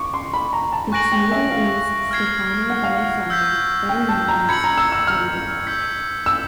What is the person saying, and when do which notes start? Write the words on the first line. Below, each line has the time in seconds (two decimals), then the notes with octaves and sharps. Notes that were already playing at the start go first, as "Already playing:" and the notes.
Its leader is Stefano Belisari, better known as Elio.
Already playing: C#6 D6
0.14 C6
0.34 B5
0.53 A#5
0.72 A5
0.92 G#5 C#6 F#6 A#6 D7 F#7
1.12 G5
1.32 E5
1.51 F5
2.11 F6 G#6 C7
2.70 F#5
2.83 F5
2.96 F#5
3.30 E6 G6 B6
3.89 G5
4.09 A5
4.28 A#5
4.49 B5 G#6 C#7 F#7
4.64 A#5
4.78 E6
4.92 E6
5.07 F6
5.67 E6 G6 B6
6.26 E6